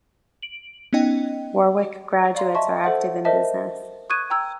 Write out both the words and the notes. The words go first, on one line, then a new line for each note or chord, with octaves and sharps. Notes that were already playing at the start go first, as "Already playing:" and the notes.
Warwick graduates are active in business.
D7 F#7
B3 C#4 D#4 D#5 G5
D5 F5 A#5 C6
D#5 E5 A5 C6 C#6
A4 C5 E5 F#5
A#4 C5 D#5 E5 A5
C#6 D#6 F#6 G#6 D#7
G5 A#5 E6 G#6